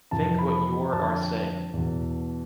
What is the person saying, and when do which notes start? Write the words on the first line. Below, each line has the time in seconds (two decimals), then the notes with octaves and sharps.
Think what your are saying.
0.11 F2 C3 E3 A5
0.38 B5
0.92 F2 D3 A5
1.73 E2 B2